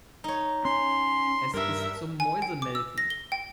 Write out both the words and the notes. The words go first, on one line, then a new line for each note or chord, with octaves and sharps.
Es ist zum Mäusemelken.
D#4 C#5
C#4 C6
G2 A#4 E5
G#5
G5
D6
E6
A#6
G7
G5